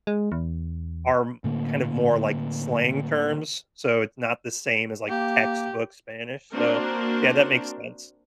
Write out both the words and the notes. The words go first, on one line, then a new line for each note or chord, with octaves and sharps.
are kind of more like slang terms. So it's not the same as, like, textbook Spanish. So, yeah, that makes sense.
G#3
E2
A2 D3 A#3
A#3 G4
A#3 C4 D4 F#4 A#4 C5